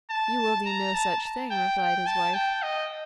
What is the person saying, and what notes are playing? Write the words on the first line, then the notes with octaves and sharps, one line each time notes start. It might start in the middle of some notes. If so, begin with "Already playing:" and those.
'You will do no such thing,' replied his wife.
A5
A#5
A5
G5
G5
A5
G5
D#5